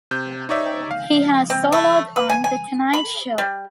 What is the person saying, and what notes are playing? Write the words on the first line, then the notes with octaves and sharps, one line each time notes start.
He has soloed on "The Tonight Show".
C3 G6
D#4 C#5 D5 E5
F5
C4
A3
B4
G#5
G#5
B5
G3